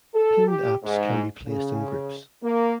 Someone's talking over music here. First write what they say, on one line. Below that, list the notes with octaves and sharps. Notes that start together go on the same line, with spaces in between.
Pinned apps can be placed in groups.
A4
G4
G#2
C#3
A#3